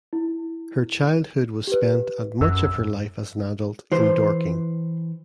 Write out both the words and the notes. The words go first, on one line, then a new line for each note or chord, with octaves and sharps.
Her childhood was spent and much of her life as an adult in Dorking.
E4
G4 B4
F#2 E6
E3 C5